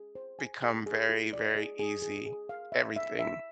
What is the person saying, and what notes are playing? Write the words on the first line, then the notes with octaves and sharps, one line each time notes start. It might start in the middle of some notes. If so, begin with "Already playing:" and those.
become very, very easy. Everything.
Already playing: G#4
C5
G#5
G#4
G#4
F4
D5
G#4
G#4
G#4
G#4
F5
E5
E5
E5